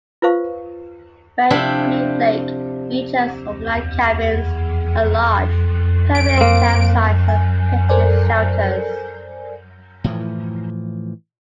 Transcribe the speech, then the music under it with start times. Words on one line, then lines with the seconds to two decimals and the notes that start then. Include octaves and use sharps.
Bear Creek Lake features overnight cabins, a lodge, permanent camp sites, and picnic shelters.
0.22 F4 B4 C5 F5 C#6
1.50 C3 F3 D4 E4 G4 E5
6.15 D7
6.37 A#3 C4
7.28 G#5
7.89 A4 A#4 C5 D5 G#5
10.04 A2 E3 F3